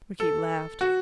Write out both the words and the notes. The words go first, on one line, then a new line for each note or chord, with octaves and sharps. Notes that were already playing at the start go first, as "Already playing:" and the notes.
Rickie laughed.
A4
F#4